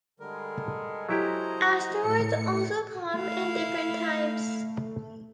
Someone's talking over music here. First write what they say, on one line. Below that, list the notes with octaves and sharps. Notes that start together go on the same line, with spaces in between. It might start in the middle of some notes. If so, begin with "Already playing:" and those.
Asteroids also come in different types.
D3 G3 G#3 A4 A#4
F#3 E4 G4 C5 D#5 A#5
A2 C#7
A3 E4 F5